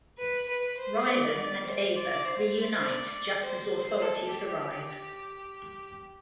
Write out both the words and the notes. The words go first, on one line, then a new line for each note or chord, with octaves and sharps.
Raylan and Ava reunite just as authorities arrive.
B4
B4
C5
D5
D5
C5
D5
C5
C5
D5
C5
C5
A4
G4